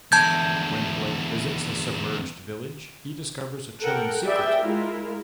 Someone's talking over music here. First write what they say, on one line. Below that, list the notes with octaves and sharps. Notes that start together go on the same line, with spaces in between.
When Blake visits the submerged village he discovers a chilling secret...
E2 D3 A5 G6 G#6
A4 A#4 F#5 G5
G4 G#4 B4 D5 E5 G5
G#3 E4 F4 A#4